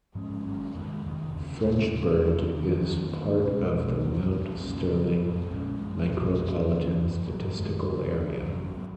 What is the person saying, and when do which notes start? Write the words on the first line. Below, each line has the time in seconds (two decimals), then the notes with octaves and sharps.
Frenchburg is part of the Mount Sterling Micropolitan Statistical Area.
0.15 G#2 F3 G#3 C#4
0.45 G#1 G#2 F#3 C#4
0.75 F2 D#3 G#3 B3
1.05 F2 D#3
1.09 F1
1.34 F1 D#2 C#3
1.64 D#2 C#3 G#3
1.93 D#2 C#3 F3 G#3
2.23 F1 F2 C#3 F3
2.53 F1 D#2 D#3 A#3
2.82 D#2 D#3 F#3 C#4
3.12 D#2 D#3 F#3 A#3
3.42 C#2 B2 G#3 C#4
3.72 B1 B2 G#3
4.01 C#2 B2 F#3
4.31 F2 F3 B3
4.60 C#2 B2 A#3 C#4
4.91 F2 C#3 F#3
5.21 G#2 F#3 B3
5.50 A#1 A#2 G#3 C#4
5.80 F#2 F3 G#3
6.09 B1 A#2 F#3
6.39 F2 F3 A#3 C#4
6.69 F#2 D#3 A#3 C#4
6.98 F#1 F#2 F3
7.28 A#1 G#2
7.33 F#3
7.58 F#2 D#3 G#3
7.87 D#2 C#3 F#3 A#3
8.17 F2 F3 B3
8.47 G#1 F#2 D#3 F#3
8.77 F#3 B3